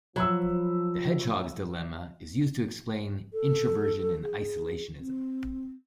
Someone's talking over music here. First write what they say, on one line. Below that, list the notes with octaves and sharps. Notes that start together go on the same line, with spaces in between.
The hedgehog's dilemma is used to explain introversion and isolationism.
F3 F#3 B5 E6
A4
G#4
C4